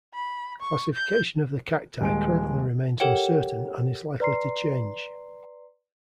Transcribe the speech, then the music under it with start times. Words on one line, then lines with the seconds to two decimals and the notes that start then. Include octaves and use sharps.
Classification of the cacti currently remains uncertain and is likely to change.
0.14 B5
0.61 C#6
0.94 G6
2.01 D#1 G#3 D7
3.00 G4 A4 A#4 C#5 F#5 G5
4.20 B4 D5 A#5 C6 C7